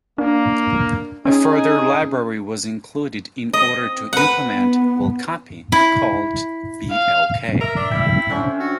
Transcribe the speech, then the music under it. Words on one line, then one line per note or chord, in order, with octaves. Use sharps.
A further library was included in order to implement "Bulk Copy" called blk.
A#3 D4
C#4 D#4 G#4
C4 D#5
B4 F#5
B3
E4
F5
A#4 E5
D4
E4 E5 G5
D3 C4 C#4
F#4